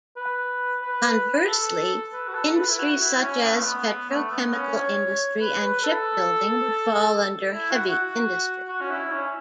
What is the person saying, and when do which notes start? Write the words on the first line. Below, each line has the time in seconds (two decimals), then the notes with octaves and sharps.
Conversely, industries such as petrochemical industry and shipbuilding would fall under heavy industry.
0.17 B4
0.82 B4
1.48 A4
2.13 B4
2.29 F#4
2.34 A4
2.57 B4
2.69 E4
2.79 F#4
3.01 E4
3.22 C#4
3.45 B3
3.53 A3
3.63 B3
4.10 A3
4.31 B3
4.54 C#4
4.75 C#5
5.41 B4
5.63 B4
5.84 A4
7.54 E4
7.71 F#4
7.87 F#4
8.68 F#4
8.81 C#4
8.90 E4
9.12 C#4